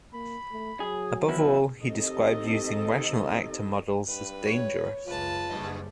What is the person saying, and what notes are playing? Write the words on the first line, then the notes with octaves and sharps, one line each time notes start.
Above all, he described using rational actor models as dangerous.
A#3 B5
A3
F#3 G#4
E2 E4 B4
D#3 C4 G4 A4 D#5
G2 B4
C#5
C#2 F#2 F4 B4 A5
F#1 G2 G3 D#5